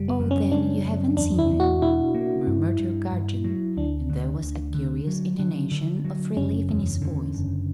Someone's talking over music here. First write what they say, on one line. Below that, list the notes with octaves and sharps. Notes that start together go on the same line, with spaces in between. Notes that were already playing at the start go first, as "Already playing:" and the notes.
"Oh, then you haven't seen him," murmured her guardian; and there was a curious intonation of relief in his voice.
Already playing: F#1 G3
B3
F#2
C#4
C#3 D4
F#2
E2 D4
E4
E2
F#4
B2 E4
A#3
G2
G2
G2
F#3
D2 D4
D3
D2
D3
F#3
D3
D3
F#3
F#1 C#4
E2
D3
F#1